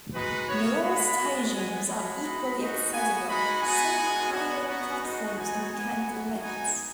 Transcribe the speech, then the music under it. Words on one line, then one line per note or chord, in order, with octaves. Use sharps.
Not all stations are equally accessible; some have high-level platforms or mechanical lifts.
G#3 D#4 F#4 B4
B3 F#4 C#5
G#3 B3 F#4 B5
G#3 B3 F#4
G#3 B3 F#4 G#5
G#3 C#4 F#4 B5
G#3 D#4 F#4
G#3 D#4 F#4
B3 F#4 G#5
G#3 D#4 F#4 B5
B3 D#4 F#4 G#5
G#3 B3 F#4
B3 D#4 F#4
B3 D#4 F#4
G#3 B3 D#4 F#4
B3 D#4 F#4 G#5
B3 F#4 G#5
B3 F#4
B3 D#4 F#4 G#5